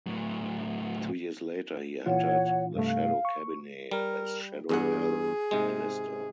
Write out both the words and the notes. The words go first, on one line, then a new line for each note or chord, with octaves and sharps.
Two years later he entered the shadow Cabinet as shadow Health Minister.
A2 F#3
A#2 E3 F4 C#5 F#5
G2 C3 A3 F5
C#6
G3 A#4
E2 G2 G#4 F#5
G#2 C3 G#3